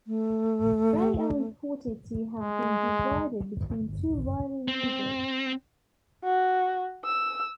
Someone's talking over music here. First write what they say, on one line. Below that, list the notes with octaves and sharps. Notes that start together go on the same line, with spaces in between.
They are reported to have been divided between two rival leaders.
A3
G#3
C4
F#4
E6